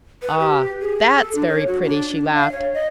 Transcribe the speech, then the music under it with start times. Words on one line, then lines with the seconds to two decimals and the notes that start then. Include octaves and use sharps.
"Ah, that's very pretty!" she laughed.
0.22 B4
0.39 G4
0.81 G#4
1.16 A4
1.35 D4
1.49 C#5
1.67 F#4
1.84 D4
2.15 D4
2.34 F5
2.52 C#5
2.74 D#5